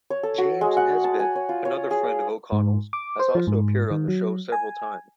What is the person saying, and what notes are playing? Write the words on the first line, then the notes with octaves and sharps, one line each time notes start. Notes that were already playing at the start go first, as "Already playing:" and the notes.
James Nesbitt, another friend of O'Connell's, has also appeared on the show several times.
C#5
A4
F#4
G#3
F#5
A5
G#5
C#5
F4
C#5
G#4
G#2
D6
C5
F3
G#2
D#3
F#3
G#5